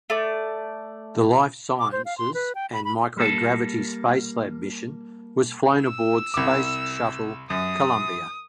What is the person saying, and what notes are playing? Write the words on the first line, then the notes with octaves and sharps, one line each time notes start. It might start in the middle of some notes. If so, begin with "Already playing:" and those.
The Life Sciences and Microgravity Spacelab mission was flown aboard Space Shuttle "Columbia".
A3 D5
D6
C5
F5
C6
B4
G5
B5
B5
G3 A#3 A4
E6
C2 D6
F#2 D#6